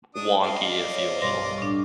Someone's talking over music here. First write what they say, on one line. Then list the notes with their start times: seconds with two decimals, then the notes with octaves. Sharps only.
wonky, if you will?
0.15 D4 D#6
0.44 D5 D#5 F5
0.88 C4 C#4
1.22 B1 G2 C6 A#6
1.58 A2 D4